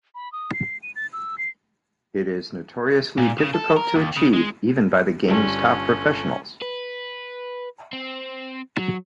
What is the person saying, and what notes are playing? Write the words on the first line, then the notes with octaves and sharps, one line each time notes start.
It is notoriously difficult to achieve, even by the game's top professionals.
B5
D#6
C7
D#7
A6
E6
C7
A#2
C#3
A4
A#4
D#2
C#3
G#3
G1 G3 C#4 A4
B4
C4
F#3